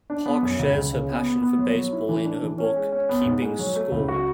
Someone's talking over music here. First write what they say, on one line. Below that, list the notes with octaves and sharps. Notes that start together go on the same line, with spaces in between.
Park shares her passion for baseball in her book, "Keeping Score".
D4
B3
F#2
C#2
C#2
C#3
B3
B3
B3
F#3
F#3
E4
E3
D4
E3
C#4
G#3
C#4
B3
G#2
G#3
F#3
A3
C#2
F#4